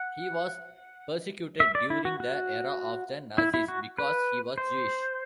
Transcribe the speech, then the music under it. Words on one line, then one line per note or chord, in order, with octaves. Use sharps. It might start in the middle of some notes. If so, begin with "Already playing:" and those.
He was persecuted during the era of the Nazis because he was Jewish.
Already playing: F#5
E5
D5
E4
F#4
F#4
E4
E4
F#4
B4
C5